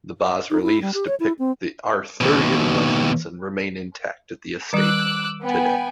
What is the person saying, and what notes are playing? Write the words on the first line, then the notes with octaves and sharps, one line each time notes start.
The bas reliefs depict the Arthurian Legends and remain intact at the estate today.
D#4
E4
G3
G4
C#5
E4
C4
D#2 B2
D#3 G3 D6 E6 F#6
B3 G5 G#5